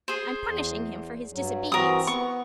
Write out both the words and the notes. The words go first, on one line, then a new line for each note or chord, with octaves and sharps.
I'm punishing him for his disobedience.
G#4 C5
E2
G2 F#3
E3 C4 F#4 A#4 D#6
B3 C#6